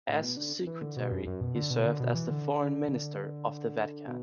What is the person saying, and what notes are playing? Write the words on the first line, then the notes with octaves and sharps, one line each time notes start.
As Secretary, he served as the foreign minister of the Vatican.
A2
B2
D3
E3
D3
B2
F#2
F#2
B2
D3
B2
D3
B2
E3
D3
D3
B2